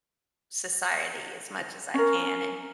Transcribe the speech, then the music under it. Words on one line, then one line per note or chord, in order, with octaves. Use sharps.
society as much as I can, and
C#4 A#4